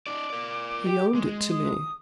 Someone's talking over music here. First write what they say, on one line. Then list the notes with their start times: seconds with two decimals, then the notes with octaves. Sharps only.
He owned it to me.
0.07 D#4 D5 D6
0.30 A#4 D5
0.86 G4
1.15 G#3
1.51 D#6